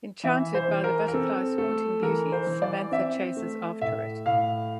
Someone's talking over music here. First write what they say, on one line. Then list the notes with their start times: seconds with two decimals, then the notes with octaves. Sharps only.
Enchanted by the butterfly's haunting beauty, Samantha chases after it.
0.24 E3 E5
0.54 C5
0.68 E3
0.84 A#4
1.08 A#4
1.13 C4 A4
1.58 A3 A4
2.02 E3 A#4
2.32 C5
2.47 E3
2.62 D5
2.91 C4 E5
3.37 A3
3.81 A2 E5
4.26 A2 F5